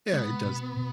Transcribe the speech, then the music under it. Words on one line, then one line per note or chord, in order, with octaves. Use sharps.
Yeah, it does.
G#3 B3
B2
B2